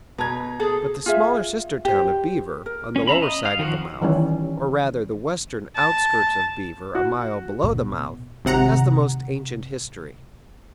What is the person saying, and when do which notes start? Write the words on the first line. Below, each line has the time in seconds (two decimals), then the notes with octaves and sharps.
But the smaller sister town of Beaver, on the lower side of the mouth,--or rather the western outskirts of Beaver a mile below the mouth,--has the most ancient history.
0.18 B2 B4 A#5 G#6
0.60 G#4 A4
1.06 F4 G#4 E5 F5
1.85 G4 C5
2.66 A#4
2.96 C#4
3.07 E5 F5 A#5 B5
3.22 D#5
3.45 F5
3.59 D#3 F3 F#4
4.01 D#3 E3 G3 C#4
5.76 A5
6.95 F#4
7.63 B2
8.45 G#1 C3 F#5 A#5